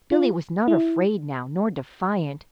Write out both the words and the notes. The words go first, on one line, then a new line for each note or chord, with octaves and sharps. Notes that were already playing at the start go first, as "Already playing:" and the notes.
Billy was not afraid now, nor defiant.
F4
E4